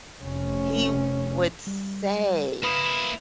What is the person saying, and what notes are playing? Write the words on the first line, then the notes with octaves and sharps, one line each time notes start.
he would say
F1 C#4
G3
A#3 E4 B4 B5 D#6